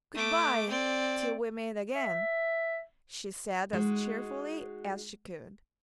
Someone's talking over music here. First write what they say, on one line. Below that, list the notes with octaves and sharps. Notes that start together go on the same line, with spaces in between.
'Good-bye, till we meet again!' she said as cheerfully as she could.
A3 D6
C4 D5
E5
G#3 D#4 F#4